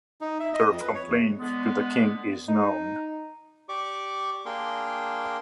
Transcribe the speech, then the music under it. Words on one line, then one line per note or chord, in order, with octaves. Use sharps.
A letter of complaint to the king is known.
D#4
E5
D#5
F2
B4
C#5
E2
D3 G#3 B3
D#4
G4 D5 C#6 D6
A#3 D4 G#4 A#4 G5 C6